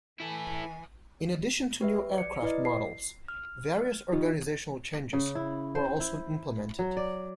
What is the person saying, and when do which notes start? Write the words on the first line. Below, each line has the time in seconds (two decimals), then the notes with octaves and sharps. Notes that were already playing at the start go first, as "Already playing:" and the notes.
In addition to new aircraft models, various organisational changes were also implemented.
0.20 E3 E4 A4 G#5
1.81 G4 B4 E5
2.15 D5 C#7
2.42 E4 B4 D5 D#5
2.65 C7
3.28 F6
4.13 D#4 F4 G4 D#5
5.13 C#3
5.35 E4
5.75 C5
6.00 E4
6.79 F#3
6.97 D5